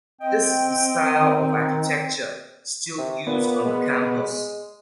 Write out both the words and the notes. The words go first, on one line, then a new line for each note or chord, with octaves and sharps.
This is the style of architecture still used on the campus.
C4 D#5 G5
D#3
C3
A#2 B3
G#3